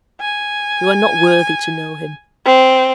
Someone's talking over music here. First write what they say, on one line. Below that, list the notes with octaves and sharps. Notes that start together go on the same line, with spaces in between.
You are not worthy to know him.
G#5
C4